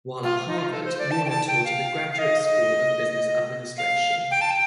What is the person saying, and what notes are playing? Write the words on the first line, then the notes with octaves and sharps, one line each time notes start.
While at Harvard, Warner taught at the Graduate School of Business Administration.
F4
D#4
F4
A4
C5
D5
A5
G5
A5
G5
F5
F5
D#5
D#5
F5
G5
A5
G5